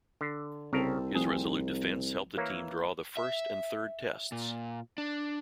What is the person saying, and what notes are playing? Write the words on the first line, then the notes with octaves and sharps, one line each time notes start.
His resolute defence helped the team draw the First and Third Tests.
D3
C2 C#3 C4 A4 A#4
C2 F3 A3 C4 G#4
E3 A#3 A#4 C#5
E5
A#2
D4